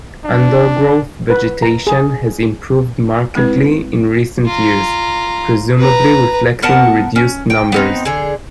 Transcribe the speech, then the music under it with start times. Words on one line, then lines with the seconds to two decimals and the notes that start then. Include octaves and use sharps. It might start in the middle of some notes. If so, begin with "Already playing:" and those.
Undergrowth vegetation has improved markedly in recent years, presumably reflecting reduced numbers.
0.25 D4
1.30 B4
1.62 A#5
1.87 G#4
3.35 G#3 C4 E4 B4
4.46 F4 A#5
5.78 B4 A#5
6.62 B3 A#4 F#5 A5
7.16 C#4
7.50 G5
7.72 B3 C4 D#4
8.05 D3 G#4